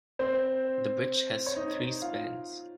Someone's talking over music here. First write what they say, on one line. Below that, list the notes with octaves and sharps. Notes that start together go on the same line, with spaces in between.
The bridge has three spans.
C4 C5
C#5
D#4 D#5
F4 F5